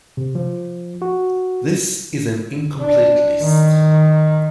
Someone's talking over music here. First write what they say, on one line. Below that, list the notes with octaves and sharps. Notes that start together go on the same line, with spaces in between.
This is an incomplete list.
C3
F3
F#4
D4
D#3